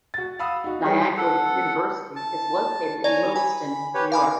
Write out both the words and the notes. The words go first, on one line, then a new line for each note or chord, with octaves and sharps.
Niagara University is located in Lewiston, New York.
F#4 A6
F5 F#5 B5 D#6 E6
D#4 F#4
E3 G3 G#4 C#5
A4 F#5
A5
C#5 D5 G#5 A#5
G#5 B5
G4 B4 C#5
F5 G#5 B5 D6